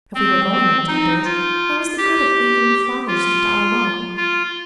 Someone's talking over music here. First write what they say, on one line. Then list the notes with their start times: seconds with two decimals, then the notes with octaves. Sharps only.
If we were going in two days, where was the good of leaving the flowers to die alone?
0.15 C4
0.52 C4
0.88 D#4
1.25 F4
1.98 G4
3.07 F4
4.17 F4